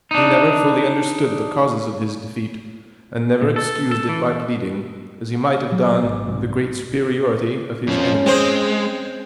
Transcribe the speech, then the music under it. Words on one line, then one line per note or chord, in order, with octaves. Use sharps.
He never fully understood the causes of his defeat, and never excused it by pleading, as he might have done, the great superiority of his enemy.
D4 D#4
A#2
A4
A4
E3
F#3
G#1
C2 G#2
F2 F3 C#4
G#3 C4 C5